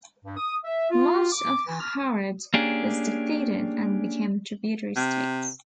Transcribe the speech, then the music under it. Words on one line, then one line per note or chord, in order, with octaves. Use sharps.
Much of Harad was defeated and became tributary states.
G2
D#6
E5
F4
D6
E3
F6
A#3 C#4 D4 G4 G#4
C3